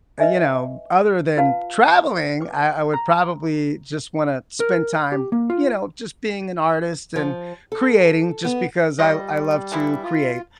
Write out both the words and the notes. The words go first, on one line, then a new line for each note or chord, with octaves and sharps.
you know other than traveling, I I would probably just wanna spend time, you know, just being an artist and creating just because I I love to create.
B4 C#5 D#5 E5 G#5
F4 B4 F5 A5
B4 D6
A#5
A#4
G4
A#3
F4
F3
A4
B3
G3 F4 D5 D#5
E3 F3 E4
F4